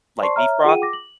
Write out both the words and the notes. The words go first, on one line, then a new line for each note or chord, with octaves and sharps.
like, beef broth.
C5 D5 A5 C6 C#6 C7
C#5 E5 A#5 F6
F4 G#4 F#5 G5 D#7
D6 A#6
F#7